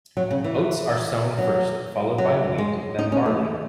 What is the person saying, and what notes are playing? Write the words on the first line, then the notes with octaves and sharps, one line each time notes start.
Oats are sown first, followed by wheat, then barley.
F#3
C#3
E3
F#3
F#3
G#3
D#4
C#4
A3